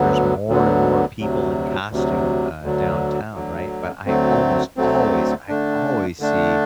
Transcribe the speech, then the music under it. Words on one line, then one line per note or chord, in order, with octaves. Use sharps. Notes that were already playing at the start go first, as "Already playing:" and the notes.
there's more and more people in costume, uh, downtown, right, but I almost always, I always see
Already playing: D2 D3 F#3 B3
D2 D3 F#3 B3
D2 C3 F#3
D2 C3 F#3
D2 D3 F#3
D2 D3 F#3
D2 D3 F#3 A3 C4
D2 D3 F#3 A3 C4
D3 A3 D4
D3 A3 D4